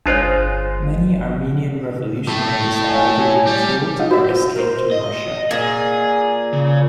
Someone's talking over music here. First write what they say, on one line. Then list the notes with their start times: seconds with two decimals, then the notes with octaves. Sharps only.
Many Armenian revolutionaries had either been killed or escaped to Russia.
0.06 G1 G#3 D4 F4 C5 C#5
2.28 A2 A3
2.87 C#5 G#5
3.47 G3
3.99 D#4 F4 F#5
4.11 F#4 C5 E5
4.56 A#4 C5
4.91 D#5
5.51 A#2 G#4
6.53 C#3